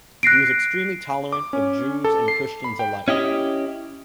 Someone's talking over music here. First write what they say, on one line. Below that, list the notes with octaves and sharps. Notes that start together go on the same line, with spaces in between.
He was extremely tolerant of Jews and Christians alike.
F#6 A#6 C7 D7
D6
C#4
A4
C7
B5
G5
C#4 E4 G4 D#5